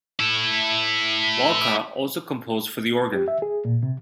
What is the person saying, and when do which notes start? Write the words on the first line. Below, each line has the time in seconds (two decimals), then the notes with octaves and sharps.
Walcha also composed for the organ.
0.20 E4 A4
3.13 G4
3.28 E5
3.42 G#4
3.65 A#2
3.83 C3